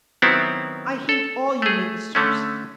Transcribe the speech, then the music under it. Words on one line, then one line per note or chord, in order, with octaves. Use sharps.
I hate all you ministers.
D#3 F#3 B3 C4 E4
A4
A3 G#4
D3 A3 C#4